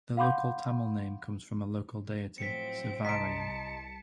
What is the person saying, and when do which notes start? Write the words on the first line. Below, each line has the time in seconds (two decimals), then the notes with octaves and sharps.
The local Tamil name comes from a local deity, "Servarayan".
0.17 F5 F#5 B5 C6 D6 G6
2.38 A2 F3 F#3 C4 B6 C#7 D7
3.05 C2 D#5 A5 A#5 C6 B6 C#7 D7